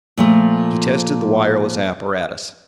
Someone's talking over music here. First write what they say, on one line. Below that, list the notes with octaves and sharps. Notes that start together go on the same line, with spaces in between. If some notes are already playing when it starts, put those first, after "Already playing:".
He tested the wireless apparatus.
A#2 F3 A3